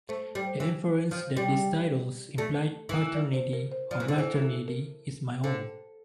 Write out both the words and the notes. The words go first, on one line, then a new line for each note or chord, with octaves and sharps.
The inference that these titles implied paternity or maternity is my own.
A3 C5
G3
C5
E3
F3
G3
A3 D5
E3
D5
C5
A#4
C5
F3 D5
E3
D3
E3 C5
A4
A#4
D3 C5